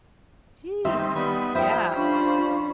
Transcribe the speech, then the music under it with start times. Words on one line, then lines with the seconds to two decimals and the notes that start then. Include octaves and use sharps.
Jeez, yeah.
0.85 D#3 G3 C4 D#4 E5
1.16 G3 B3 D#4 B5
1.55 F3 G3 C5 E5 G5
1.96 C#4 D4 F4 B5